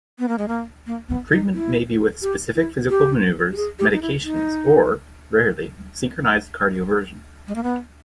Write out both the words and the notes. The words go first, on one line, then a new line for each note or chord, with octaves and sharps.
Treatment may be with specific physical maneuvers, medications, or, rarely, synchronized cardioversion.
B3
A#3
G#3
A#3
A#3
B3
D#4
E4
G4
E4
G4
G4
G#4
G4
D#4
E4
D#4
G#3
A#3
B3